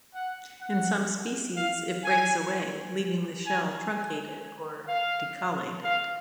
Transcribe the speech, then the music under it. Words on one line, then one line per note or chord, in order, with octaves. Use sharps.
In some species it breaks away, leaving the shell truncated or decollated.
F#5
F#5
F5
G#5
G#5
G#5
F5
F5